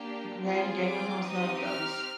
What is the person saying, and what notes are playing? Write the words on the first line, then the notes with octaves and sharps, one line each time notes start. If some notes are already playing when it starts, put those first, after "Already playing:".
Gain Game of Thrones, none of those.
Already playing: A#3 D4 G4
C4 F4 G#4
D6
C4 D#4 G4 D#6
F6